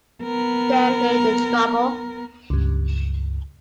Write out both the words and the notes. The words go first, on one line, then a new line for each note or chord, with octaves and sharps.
There lay the trouble.
B3 A#4
C#2 G2